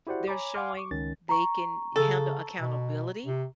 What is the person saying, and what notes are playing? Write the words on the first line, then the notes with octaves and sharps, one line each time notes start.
They're showing they can handle accountability
E4 F#4 G4 C5 D5 F#5
C#5 G#5 A#5 B5 D6
F5 F#5 G#5 C6 D6 F6
C#6 D6
C#2 D#3 C#4 A6
A#5 C#6
C#3 A4
B2
C3